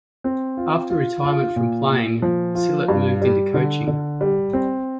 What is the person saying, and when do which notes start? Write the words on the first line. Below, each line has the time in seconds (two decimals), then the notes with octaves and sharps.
After retirement from playing, Sillett moved into coaching.
0.24 C4
0.57 F4
0.90 F4
1.23 F4
1.56 A#2
1.90 A#2
2.22 F3
2.55 F4
2.88 G2
3.22 G3
3.54 D3
3.87 D3
4.21 G3
4.53 C4